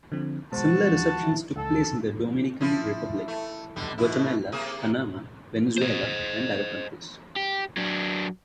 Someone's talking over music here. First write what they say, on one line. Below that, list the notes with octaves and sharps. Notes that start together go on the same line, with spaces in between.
Similar receptions took place in the Dominican Republic, Guatemala, Panama, Venezuela and other countries.
D3 F3 C4
B2 G#3 F#4 C5 A5
D2 F4
E4
C#2 A4
F3 E4
A3
B2 D3 G3
G#2 B2 E4
C3 A#3 G#4
C5 D#5
G4
F#3 D4